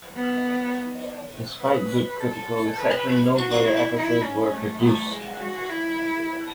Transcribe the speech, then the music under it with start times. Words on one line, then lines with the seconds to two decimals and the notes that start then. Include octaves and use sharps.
Despite good critical reception, no further episodes were produced.
0.16 B3
1.61 B4
2.21 A4
2.78 B4
3.37 F#4
3.65 E4
3.96 E4
4.24 C#4
4.54 A3
4.83 A3
5.11 G#3
5.41 F#4
5.70 E4